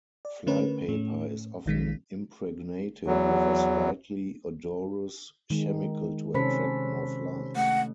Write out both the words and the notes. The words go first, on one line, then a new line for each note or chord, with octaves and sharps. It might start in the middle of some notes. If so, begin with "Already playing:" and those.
Flypaper is often impregnated with a slightly odorous chemical to attract more flies.
D5
D3 A3 C#4 A#4 B4 C#5
A2 A3 C#4
A#1 D#3 G#3 B6
E2 F#3
D#3 G#3
C3 C#4 A4 C5 B5 B6
A3 F#5